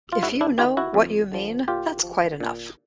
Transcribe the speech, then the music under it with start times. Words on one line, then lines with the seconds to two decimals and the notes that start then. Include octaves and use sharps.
If you know what you mean, that's quite enough.
0.12 F4
0.23 G#2 E4 F#4
0.41 D4 E4
0.58 D#3 F4 G4
0.77 E4 F#4
0.94 F2
1.32 D3 F3
1.68 A#2 F4 G4
2.03 F3
2.40 A#2